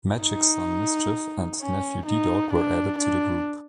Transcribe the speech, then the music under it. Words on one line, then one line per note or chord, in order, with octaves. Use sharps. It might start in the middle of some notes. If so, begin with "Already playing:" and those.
Magic's son Mischief and nephew D-Dog were added to the group.
D#4
C#4
D#4
D4
D4